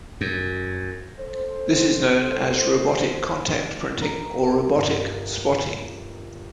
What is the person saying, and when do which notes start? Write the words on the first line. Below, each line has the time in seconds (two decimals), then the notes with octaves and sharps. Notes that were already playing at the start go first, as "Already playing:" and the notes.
This is known as robotic contact printing or robotic spotting.
0.21 F#2
1.19 A4 C5
4.01 A#4
4.75 G1